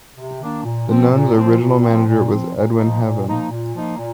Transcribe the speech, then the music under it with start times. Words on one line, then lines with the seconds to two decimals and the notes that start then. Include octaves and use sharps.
The Nuns original manager was Edwin Heaven.
0.17 C3
0.40 D#3 A#3 D4
0.64 A#2
0.87 F3 C4
1.11 A#2
1.35 F3 C4
1.60 A#2
1.83 F3 C4
2.08 A#2
2.31 F3 C4
2.55 A#2
2.78 F3 A#3 D#4
3.03 A#2
3.26 F3 A#3 D#4
3.50 A#2
3.74 F3 A#3 D#4
3.98 A#2